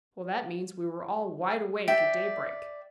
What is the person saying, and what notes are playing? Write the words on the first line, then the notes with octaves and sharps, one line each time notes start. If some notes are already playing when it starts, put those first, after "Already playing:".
"Well, that means we were all wide awake at daybreak."
D5 E5 G5